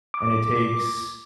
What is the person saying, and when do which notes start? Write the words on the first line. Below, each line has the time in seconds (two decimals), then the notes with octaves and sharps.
and it takes
0.14 D6